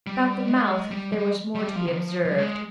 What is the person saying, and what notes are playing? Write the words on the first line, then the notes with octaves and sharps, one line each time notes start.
About the mouth there was more to be observed.
G3
G#3
G3
G3
G3
F3
D#3
F3
F3
G3
G#3